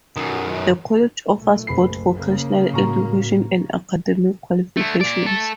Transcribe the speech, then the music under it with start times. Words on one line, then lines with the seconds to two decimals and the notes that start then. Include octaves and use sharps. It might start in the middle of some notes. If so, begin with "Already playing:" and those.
The college offers both vocational education and academic qualifications.
0.17 F#2 D#3
1.35 B1 A#2 A3
1.67 F#1 B5 C7
2.16 C#3 A#3
2.73 A2 F#4 A#5 C#6
4.77 D3 A3
5.01 A#2 D5
5.26 A3 A4